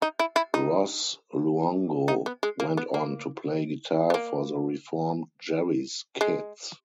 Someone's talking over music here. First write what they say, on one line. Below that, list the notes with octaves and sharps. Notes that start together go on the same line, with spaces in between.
Ross Luongo went on to play guitar for the reformed Jerry's Kids.
D#4
E4
E4
D#4
D#4
B3
G#3
A#3
B3
A#3
B3
A#3
G#3